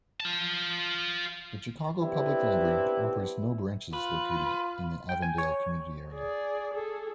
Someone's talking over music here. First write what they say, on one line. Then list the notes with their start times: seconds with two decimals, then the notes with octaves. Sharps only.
The Chicago Public Library operates no branches located in the Avondale community area.
0.20 F4 A5
1.99 B3 C4 D4 E4 G4 B4
3.93 F4 B4
5.09 G5
5.22 G#5
5.38 C#5
6.13 G#4 D5
6.74 G#4 A4